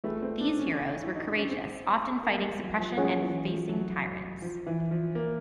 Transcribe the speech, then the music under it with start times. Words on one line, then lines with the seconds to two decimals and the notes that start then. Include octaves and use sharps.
These heroes were courageous, often fighting suppression and facing tyrants.
0.04 A3 F4 G#4 B4 E5 G5
0.22 C4
0.40 D4
0.59 C#4
1.03 E4
1.15 D#4
1.27 D4
1.38 C#4
1.50 C4
2.23 A#3
2.42 G#3
2.60 F#3
2.78 F3
2.96 F#3 C#4 F4 G#4 C#5 F#5
3.20 E3
3.45 F3
3.69 F#3
4.42 F3
4.67 E3
4.91 F3
5.15 A#3